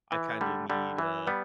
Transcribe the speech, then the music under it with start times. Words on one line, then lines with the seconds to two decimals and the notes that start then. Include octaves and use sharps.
I kinda need, uh,
0.12 E3
0.41 D3 G3
0.70 D3 G3
0.99 E3
1.27 G3 B3